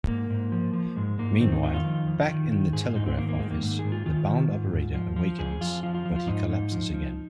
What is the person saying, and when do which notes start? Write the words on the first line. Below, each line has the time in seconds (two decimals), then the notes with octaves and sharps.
Meanwhile, back in the telegraph office, the bound operator awakens, but he collapses again.
0.08 G#2 A#3
0.30 G#2
0.52 F3
0.74 F3
0.96 G#2 G#3
1.19 G#2 A#3
1.40 D#3 C4
1.52 D#4
1.63 D#3 D#4
1.74 F4
1.84 F2
2.07 F2
2.29 D#3
2.52 D#3
2.73 G#2 G#4
2.85 F4
2.95 G#2 D#4
3.06 C4
3.18 D#3 A#3
3.29 A#3
3.39 D#3 G#3
3.51 A#3
3.62 G#2
3.79 G#4
3.84 G#2
3.92 F4
4.06 D#3 F4
4.29 D#3
4.51 G#2
4.73 G#2
4.94 F3
5.16 F3
5.38 F2 G#4
5.61 F2 F4
5.83 F3 F4
5.94 F4
6.05 F3
6.16 F4
6.27 G#2 D#4
6.49 G#2
6.72 F3
6.94 F3